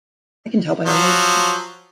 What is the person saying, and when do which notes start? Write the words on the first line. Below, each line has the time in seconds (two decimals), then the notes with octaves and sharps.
I can tell by your loyalty.
0.85 F3 F#3